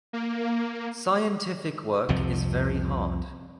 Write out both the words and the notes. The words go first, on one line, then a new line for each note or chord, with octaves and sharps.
Scientific work is very hard.
A#3
C2 F2 C3 F3